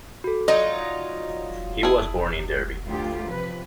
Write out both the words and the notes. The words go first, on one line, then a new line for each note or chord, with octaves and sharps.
He was born in Derby.
F#4 A4
F#3 D#4 F4 D5 D#5
E4 G#4 A5
D2 A3 F4 G4
C3 F3 B4